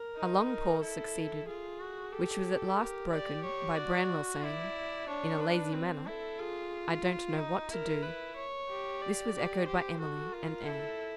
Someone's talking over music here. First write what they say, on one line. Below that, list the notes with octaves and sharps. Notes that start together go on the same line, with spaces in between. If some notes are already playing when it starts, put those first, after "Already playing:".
A long pause succeeded, which was at last broken by Branwell saying, in a lazy manner, 'I don't know what to do.' This was echoed by Emily and Anne.
Already playing: A#4
D#4
A#4
E4 A4
F4 G#4
F#4
G4 A4
G4 A#4
G4 D5
C#5
F#4 D5
E4 D5
D4 C#5
B4
C4
E4 A4
F4 G#4
D#4
E4 A#4
B4
C#5
G4
D5
G4
G4 C5
F#4 A4
F4 A#4
E4 A4